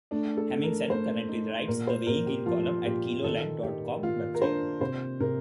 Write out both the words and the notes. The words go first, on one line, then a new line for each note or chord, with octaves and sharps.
Hemmingsen currently writes the "Weighing In" column at the Keloland dot com website.
A3 D4
A4
A3
A#4
A3 C5
D#4
A#2 A#4
C5
A#2 A#4
G4
F3 F4
A#2 G4
D#3 A4
D#3 G4
D#3 F4
A#4
D4 C5
C3 C5
C3 A#4